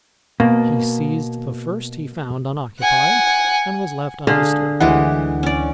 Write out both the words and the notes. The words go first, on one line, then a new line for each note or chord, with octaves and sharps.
He seized the first he found unoccupied and was left undisturbed.
B2 A#3
F#5 G#5
D3 G#4 F5
D2 E3 G#3 G4 F#5
C#4 D5